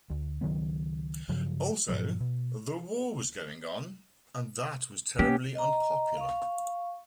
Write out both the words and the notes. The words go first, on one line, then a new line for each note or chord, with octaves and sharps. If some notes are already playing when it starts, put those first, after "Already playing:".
Also, the war was going on, and that was terribly unpopular.
D2
C#2 D#3 F#3 B3
G2 C#3 F3 F#3
G2 A#2 F3 F#3
B2
A#3 B3 C#4 G4
D#5 A#5
F5 C#6